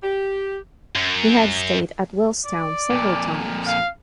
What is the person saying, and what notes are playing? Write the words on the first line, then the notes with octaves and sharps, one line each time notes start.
He had stayed at Willstown several times.
G4
F#2
D5
F2 A#2
F5